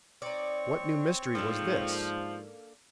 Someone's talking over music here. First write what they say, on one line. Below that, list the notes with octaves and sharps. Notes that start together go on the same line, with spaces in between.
What new mystery was this?
C4 D#4 C#5 D5 C#6
G#2 F3 A#3 D4 A4